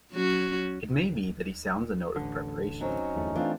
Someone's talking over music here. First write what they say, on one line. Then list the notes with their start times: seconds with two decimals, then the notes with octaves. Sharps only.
It may be that he sounds a note of preparation.
0.11 F#3 C#4 F#4
2.16 A1 D3
2.81 F#3 C4 C#4 D#4
3.15 G1 E2 A3
3.36 E3 A3 C4 D4 F4